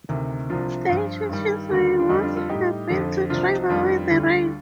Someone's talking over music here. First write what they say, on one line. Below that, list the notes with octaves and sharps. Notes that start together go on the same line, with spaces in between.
The intention may once have been to drive away the rain.
D2 C3 D#3
C2 C3 F3 D4 F4
G2 F3
G2 D#3 G3
D#2 D3 G3
D4
F2 D3 G3 D#4
D4 F4
F4 A4
A2 G3 D#4 G4
F2 D3 F3
C2 C3 F3 D4 F4
D#4
F2 D#3 G3 D4 F4
D2 D3 G3